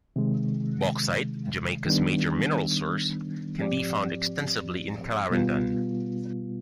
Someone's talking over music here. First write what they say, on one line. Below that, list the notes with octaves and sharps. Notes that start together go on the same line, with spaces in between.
Bauxite, Jamaica's major mineral source, can be found extensively in Clarendon.
C3 D#3 G#3
D#3 G3 B3 D4
G#2 F3 C4 G4 D5
B2 G3 B3 F4